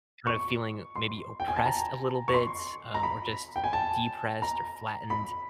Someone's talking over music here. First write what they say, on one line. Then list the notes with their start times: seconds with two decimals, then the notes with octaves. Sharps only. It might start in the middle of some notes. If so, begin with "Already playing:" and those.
kind of feeling maybe oppressed a little bit, um, or just depressed or flattened,
0.27 C#6
0.96 C6
1.40 G5
1.48 G#5
1.56 A5
1.66 A#5
2.28 C#6
2.34 C6
2.94 A#5
3.03 B5
3.56 G5
3.64 G#5
3.73 A5
4.42 A#5
5.10 B5